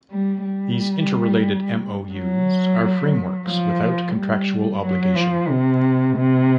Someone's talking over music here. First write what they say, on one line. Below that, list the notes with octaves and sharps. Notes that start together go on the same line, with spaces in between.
These interrelated MoUs are frameworks without contractual obligation.
G3
G3
F#3
F3
G3
F#3
F3
C3
C3